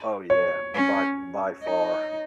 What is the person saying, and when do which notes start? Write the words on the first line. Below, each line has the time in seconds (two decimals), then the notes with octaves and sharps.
Oh, yeah. By by far.
0.30 C#5
0.74 C#4
1.63 D#4